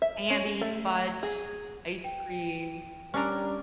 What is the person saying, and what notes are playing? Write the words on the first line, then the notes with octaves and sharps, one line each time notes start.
candy, fudge, ice cream.
E5
C#4
A3
G#4
G5
G3 C#4 D4 A#4